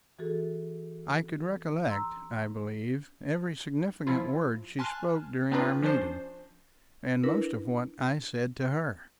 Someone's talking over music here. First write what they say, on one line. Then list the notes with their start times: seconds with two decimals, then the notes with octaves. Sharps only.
I could recollect, I believe, every significant word she spoke during our meeting, and most of what I said to her.
0.19 E3 F#4 G#4 A4
1.88 A#5 C6 E6
4.07 F3 E4 F4
4.79 G#5 A5 C6 F6 F#6
5.51 B3 C4 D4 D#4 F4 B4
5.82 F3 C#4 D4 C5
7.24 D4 E4 A#4 B4